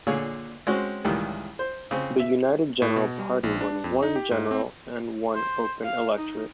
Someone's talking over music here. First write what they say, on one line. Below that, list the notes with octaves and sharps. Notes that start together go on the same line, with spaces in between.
The United General Party won one "general" and one open electorate.
A#2 D3 G#4 C#5 F5
G#3 C4 C#4 F#4 C5
C#2 A2 D#3 E3 G3
C5
C#3 C4
E5
A2
B2
G3
A#1
D4
F2
D#4
G4
G#2
C4
C5
F5
D#4